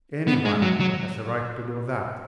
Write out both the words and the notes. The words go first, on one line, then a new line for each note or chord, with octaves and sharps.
Any one has a right to do that.
B3
G#3
F#3
F#3